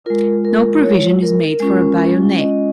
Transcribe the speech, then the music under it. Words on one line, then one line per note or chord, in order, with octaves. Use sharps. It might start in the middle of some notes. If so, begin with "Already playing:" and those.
No provision is made for a bayonet.
G#3 F4 A#4
A#4
A#4
C#5
A#4
G#3 C#4 F4
D#5